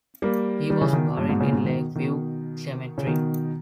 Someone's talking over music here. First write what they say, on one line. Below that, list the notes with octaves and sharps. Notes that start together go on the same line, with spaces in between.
He was buried in Lake View Cemetery.
G3 A#3
D#3 G3
C#3 E3
B2 D#3
B2
G2 A#2
G#2 B2
A#2 C#3
G#2 B2
B2 D#3
B2 D#3
C#3
B2 D#3